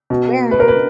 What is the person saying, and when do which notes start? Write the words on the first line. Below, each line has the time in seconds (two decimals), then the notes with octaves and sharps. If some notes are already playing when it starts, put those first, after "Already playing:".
Yeah, yeah.
0.10 B2
0.51 B4
0.60 A#4
0.68 B4